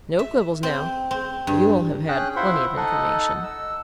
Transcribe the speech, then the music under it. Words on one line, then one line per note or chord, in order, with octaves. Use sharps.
"No quibbles, now!--you'll have had plenty of information."
E5
C4
C4
G2
C#4 G#4 G5 F#6
E4 F4 C5 E5 F#5 C6
D#4 A4 D#5 F#5
E6